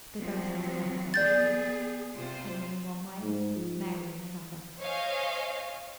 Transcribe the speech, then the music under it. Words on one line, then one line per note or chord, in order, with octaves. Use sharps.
They both had enough eventually; Henry in one way, Mary in another.
F3 F#3 C4
B3 G#4 D5 G6 A6
C3 F4 C5
G#2
F3
C5 C#5 D#5 F5 G#5